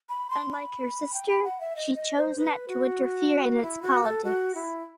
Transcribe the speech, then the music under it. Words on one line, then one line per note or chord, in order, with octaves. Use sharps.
Unlike her sister, she chose not to interfere in its politics.
B5
C6
B5
G5
B5
F#5
E5
D#5
D#5
C5
B4
F#4
E4
F#4
A4
F#4
E4